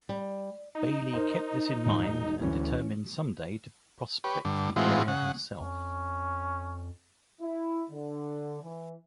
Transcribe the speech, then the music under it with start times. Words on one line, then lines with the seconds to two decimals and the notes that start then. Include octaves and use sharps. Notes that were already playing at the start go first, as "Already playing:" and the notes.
Bayley kept this in mind and determined some day to prospect the area himself.
0.09 G3
0.75 D#4
1.14 A#4 C5
1.86 E1 G7
2.41 D2 E3 C#4
4.24 G4 B4 C#5
4.45 G2 D3
4.76 A2 E3 G#3 C4 F4 F#4
5.08 C#3 F#5
5.60 F2 C#4
7.41 E4
7.90 D3
8.62 E3